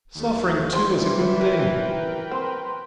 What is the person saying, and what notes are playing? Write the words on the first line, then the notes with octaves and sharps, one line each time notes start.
Suffering, too, is a good thing.
D#2 A3
E3 G3 C5
A#4 B4 G5
C4